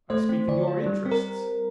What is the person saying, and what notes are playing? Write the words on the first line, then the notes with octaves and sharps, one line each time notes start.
I speak in your interests.
A3 C5
C4
D3 D5
F4
G3
C4
A#4